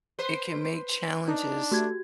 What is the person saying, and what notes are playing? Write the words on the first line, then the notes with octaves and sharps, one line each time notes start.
it can make challenges
B4 C5 C6
D4 D#4
A3 F#4 G4 G#6